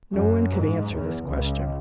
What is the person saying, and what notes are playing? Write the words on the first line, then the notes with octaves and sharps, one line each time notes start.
No one could answer this question.
F#2
G#2
E2
C#2